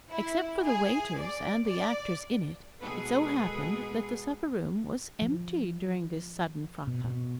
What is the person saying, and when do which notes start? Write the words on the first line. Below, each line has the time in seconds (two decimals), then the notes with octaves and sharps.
Except for the waiters, and the actors in it, it so happened that the supper-room was empty during this sudden fracas.
0.12 E4
0.64 G#4
1.20 D5
1.69 D5
2.81 B2 G#3 G#4 A4 B4
5.22 F3
6.87 B2
7.04 B2